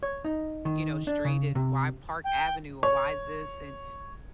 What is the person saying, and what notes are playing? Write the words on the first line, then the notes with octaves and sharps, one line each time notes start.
you know, street is why Park Avenue, or why this?" and,
C#5
D#4
D#3
D4
C#3
C3
G5
C#5